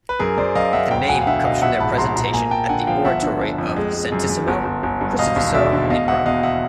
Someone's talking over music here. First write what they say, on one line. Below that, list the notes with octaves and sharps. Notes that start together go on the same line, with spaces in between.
The name comes from their presentation at the Oratory of Santissimo Crocifisso in Rome.
B4
F#2 G#4 A#4
F#2 C5 D5
F#2 D#5 F5
F#2 E5 F#5
D2 F5 G5
E1 F#5 G#5
F5
D3 E5 F#5
E1 D#5 F5
A#1 E5 F#5
G#2 A5 B5
A#1 A#5 C6
A#1 A#5 C6
A#3 G#5 A#5
A#3 G5 A5
D3 F#5 G#5
F3 F5 G5
G1 E5 F#5
D3
G1
F2
G#3
G#3
F#2
F#2
G1
G1
G1
G2
E1 D#5 F5
D#2
E1 D5 E5
D3
B2 D#5 F5
E1 E5 F#5
E2 D#5 F5
E5 F#5